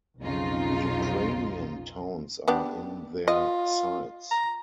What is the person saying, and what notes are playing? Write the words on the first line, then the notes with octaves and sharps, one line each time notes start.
Ukrainian towns are in their sights.
B1 F2 C#3 D#4 F4
B3 D4 G4
F4 D#5
A#5